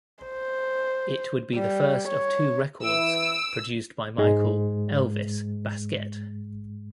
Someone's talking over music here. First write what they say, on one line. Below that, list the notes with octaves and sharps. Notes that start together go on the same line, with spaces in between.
It would be the first of two records produced by Michael "Elvis" Baskette.
C5
G3
C#5
E3 E4 E6 D7
G#2 G#3